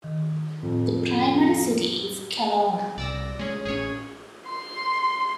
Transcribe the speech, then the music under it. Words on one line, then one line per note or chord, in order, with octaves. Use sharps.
The primary city is Kelowna.
D#3
F2 A2
C2 D5 E6 A#6
G#3 C#4 G#4
A1 C#4 G#4 C#5
C6